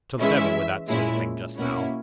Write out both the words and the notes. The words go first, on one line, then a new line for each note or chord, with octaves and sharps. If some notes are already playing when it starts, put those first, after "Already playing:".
'To the devil with that sort of thing just now!
E3 G#3 C#4 E4 E5
A#2 G#3 C#4 E4
B2 A#3 C#4 E4 F#5